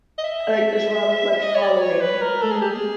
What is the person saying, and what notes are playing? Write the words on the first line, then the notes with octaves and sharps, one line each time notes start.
like, there's lot of, like, following. Mhm.
D#5
E5
D#5
C#5
D5
C#5
B4
A#4
A4
G#4
G4
G#4